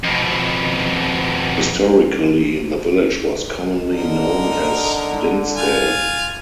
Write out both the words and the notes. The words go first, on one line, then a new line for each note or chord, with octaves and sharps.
Historically the village was commonly known as Dinsdale.
F2 B2
D3 D#4 A#4
F4 G#5